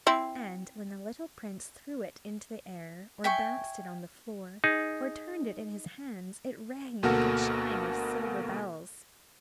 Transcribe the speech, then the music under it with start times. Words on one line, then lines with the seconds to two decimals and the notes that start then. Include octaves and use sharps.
And when the little prince threw it into the air, or bounced it on the floor or turned it in his hands it rang like a chime of silver bells.
0.07 C4 E4
3.24 E5 G5 G#5 C#6
4.64 D#4 G#4
7.03 D2 B2 A#3 F#4 A4 F6